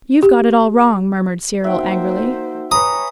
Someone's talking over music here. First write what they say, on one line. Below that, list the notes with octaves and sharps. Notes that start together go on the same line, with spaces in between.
'You've got it all wrong,' murmured Cyril angrily.
G4
A#3 D#4 F#4 C5 E5 F#5 G5
B4 C#5 G#5 A#5 D#6